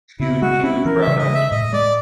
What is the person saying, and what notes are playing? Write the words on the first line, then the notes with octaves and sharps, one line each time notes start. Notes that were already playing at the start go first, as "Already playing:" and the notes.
Hu huge brown eyes.
C#3 E4
G#3 F#4
C#4 E4
E3 A#4
E5
C#3
D#5
G#3 E5
A2 D#5
G#3 D5